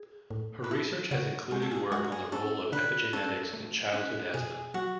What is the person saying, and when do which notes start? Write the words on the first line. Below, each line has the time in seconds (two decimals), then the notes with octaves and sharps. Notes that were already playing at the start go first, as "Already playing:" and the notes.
Her research has included work on the role of epigenetics in childhood asthma.
Already playing: G#4
0.31 A2
0.64 B4
0.71 E4 A4
1.11 C#3 F#4
1.51 G#3 F#4
1.62 A4
1.71 G#4
1.92 G#3 F#4
2.12 G#4
2.32 C#4 A4
2.72 D3 B4
3.13 C#4 A4
3.53 A3
3.93 C#4 B4
4.34 B2 G#4
4.74 F#3 F#4